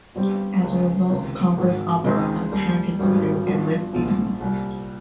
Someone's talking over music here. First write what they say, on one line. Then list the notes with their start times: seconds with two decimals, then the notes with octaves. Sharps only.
As a result, Congress authorized hundreds of new enlistees.
0.15 G1 G2 G3 C4 G4
0.63 C#2 C#3 G#3
1.10 C#2 C3 D#3
1.57 G#1 G#2 D#3
2.04 C#2 C#3 G#3 C4 D#4
2.52 D#2 D#3 G3
2.99 G#1 G2 D#3 G3
3.46 G1 G2 F3
3.93 A#1 G#2 F3
4.40 C2 A#2 G3